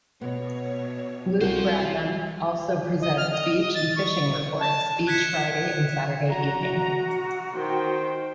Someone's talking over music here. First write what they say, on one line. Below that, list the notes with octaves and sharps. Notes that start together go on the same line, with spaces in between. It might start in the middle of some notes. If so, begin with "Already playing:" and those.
Luke Bradnam also presents Beach and Fishing reports each Friday and Saturday evening.
B2 B3 C#5
C2 F4 F#4 C5
D#5
F6
D#5
D#5
A6
C#6
A5
F#6 G#6 B6 C#7 E7
F#4 A#5
D#3 C5 G5